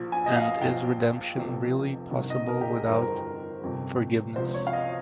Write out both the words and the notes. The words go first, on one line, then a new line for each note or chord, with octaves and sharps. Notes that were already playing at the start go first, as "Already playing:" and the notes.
And is redemption really possible without forgiveness?
Already playing: A#1 A#2 F3
G#5
D#5
F5
A#1 A#2 F3 G5
F1 F2 C3 F3
C2 C3 D#3
D#5
A#4
G4
G#4
G1 F2 D#3 A#4
C5
A#4
G1 F2 C3
C#2 C3 F3 C5
C#5
F5
D#5